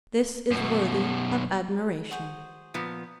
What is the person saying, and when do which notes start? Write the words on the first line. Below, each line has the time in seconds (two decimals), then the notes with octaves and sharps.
This is worthy of admiration.
0.51 F#2 B2
2.11 F#4 G#4 C5
2.74 A#2 F3 B3